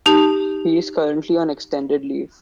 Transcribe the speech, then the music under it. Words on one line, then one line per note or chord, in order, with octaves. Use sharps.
He is currently on "extended leave".
D#4 G4 A5